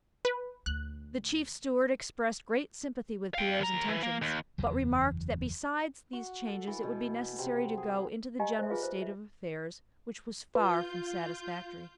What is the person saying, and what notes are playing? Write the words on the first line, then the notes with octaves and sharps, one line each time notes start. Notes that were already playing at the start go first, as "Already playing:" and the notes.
The chief steward expressed great sympathy with Pierre's intentions, but remarked that besides these changes it would be necessary to go into the general state of affairs which was far from satisfactory.
B4
D2 F#6
F5 G5
D#2 A#5
E3
A#3
D#2
F#1 E2 E3 F#3
F#4
A4
E3
B2
C3
G#4
G4 D#5 F5 G#5 A#5
C5 E5
F4 G#4 B4 F5
C5
E5
F4 B4 G6